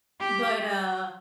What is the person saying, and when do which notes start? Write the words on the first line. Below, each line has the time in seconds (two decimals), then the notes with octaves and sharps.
But, uh
0.20 G4